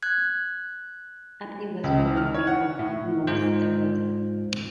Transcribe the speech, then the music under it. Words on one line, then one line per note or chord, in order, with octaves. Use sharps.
Abney was born in Minot, North Dakota.
F#6 G#6
C#2
F6
C#5
F#5
A2
G#2 G#3 F4 C5 G6